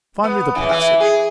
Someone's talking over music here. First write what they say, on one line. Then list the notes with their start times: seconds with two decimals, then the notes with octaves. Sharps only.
Find me the passage.
0.24 B3
0.55 C#3 E3
0.69 E3
1.00 G#4